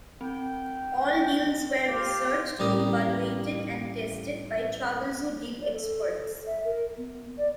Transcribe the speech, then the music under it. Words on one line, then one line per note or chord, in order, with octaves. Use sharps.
All deals were researched, evaluated and tested by Travelzoo Deal Experts.
C4 G5
F4 G4
A1 G3 A#4 D#6
D5
A4
E5
A#4
B3
D5